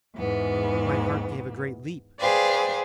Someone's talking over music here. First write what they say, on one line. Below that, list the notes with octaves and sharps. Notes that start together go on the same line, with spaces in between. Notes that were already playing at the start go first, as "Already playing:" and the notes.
My heart gave a great leap.
E2 G#2 B3
G#4 B4 C5 D5 F5 G5